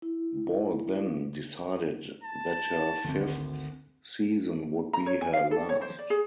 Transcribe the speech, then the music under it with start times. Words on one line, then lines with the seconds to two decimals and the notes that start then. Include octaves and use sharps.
Ball then decided that her fifth season would be her last.
0.02 E4
2.23 A5
3.04 G#1 D2
4.93 A#5
5.06 C#5
5.21 G#5
5.33 F5
5.51 A4
5.69 C#5
5.81 C5
5.99 D5
6.10 G#4